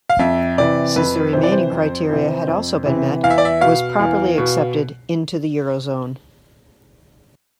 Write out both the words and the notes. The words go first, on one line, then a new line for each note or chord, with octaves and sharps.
Since the remaining criteria had also been met, was properly accepted into the Eurozone.
F5
F2 E5
C3 E3 D5
F2 B4
C3 E3 C5
D5
C5
F2
C3 E3
F2
C3 E3
E2 F5
E5
D5
E5
B2 F5
E2
B2